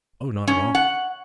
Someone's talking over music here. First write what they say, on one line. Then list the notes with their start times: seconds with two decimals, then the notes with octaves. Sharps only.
'O--not at all.
0.47 C#4
0.75 F#5